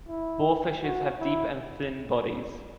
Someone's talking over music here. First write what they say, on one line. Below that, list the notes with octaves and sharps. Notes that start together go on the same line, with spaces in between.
Boarfishes have deep and thin bodies.
E4
F#4
E4